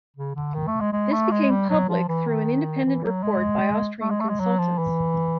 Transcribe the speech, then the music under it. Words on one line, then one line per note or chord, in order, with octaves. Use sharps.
This became public through an independent report by Austrian consultants.
C#3
D3
D#3
A3
G#3
G#3
A3
G#3
G3
F#3
F3
E3
D#3
E3
F#3
G#3
A3
G#3
A3
G#3
F#3
F3
E3